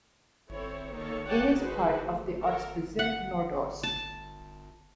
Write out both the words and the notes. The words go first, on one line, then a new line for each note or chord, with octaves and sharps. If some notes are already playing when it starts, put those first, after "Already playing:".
It is part of the "Ortsbezirk Nord-Ost".
C4 E4 A4 C#5
D#3 A#3 A4 C#5
C#5 D5 F#5 G5 A5
D#4 F#4 G#4 B4 C5
A3
A4 A#4
F#5
A5